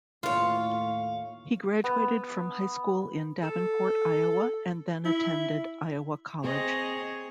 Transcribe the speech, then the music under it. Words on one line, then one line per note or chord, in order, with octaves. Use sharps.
He graduated from high school in Davenport, Iowa and then attended Iowa College.
D#2 A2 F4 C#5 F5
B3
A4
E4
C4 G#4 C#5 D#5